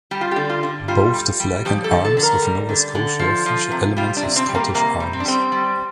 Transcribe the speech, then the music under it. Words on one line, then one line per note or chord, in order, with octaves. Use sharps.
Both the flag and arms of Nova Scotia feature elements of the Scottish arms.
G3 G4
F4
G4
D3
F4
D3
G3 F4
G3
G3
F3 G4
A4
D3
A4
D3
A#4
G3
D3
D3
F3
F3
C3
G3 F4
D4
C3
C4
G3
A#3
C3 A#3
G3
C4
D4
G3 C4
G3